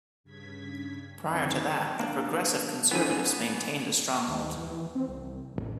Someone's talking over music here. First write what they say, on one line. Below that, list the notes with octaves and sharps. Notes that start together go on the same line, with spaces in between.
Prior to that, the Progressive Conservatives maintained a stronghold.
G2 C#3 G#6 B6
F2 D3 D#3 F3 C4 D#4
A#3 D4
F2 D3 E3 B3 G#5
D#2
E3
C4
C2
A1